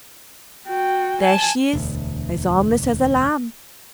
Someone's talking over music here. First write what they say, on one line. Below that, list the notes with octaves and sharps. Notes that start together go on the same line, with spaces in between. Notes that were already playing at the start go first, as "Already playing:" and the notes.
There she is as harmless as a lamb.
F#4 G5
G#5 A5
E1 D2